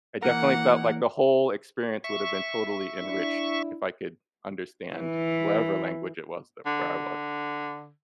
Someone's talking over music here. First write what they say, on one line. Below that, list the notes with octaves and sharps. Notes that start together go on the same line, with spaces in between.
I definitely felt like the whole experience would have been totally enriched if I could understand whatever language it was that where I was.
E3 A#3 A#4 F#5
E5 C#6
D4 E4
E3
D3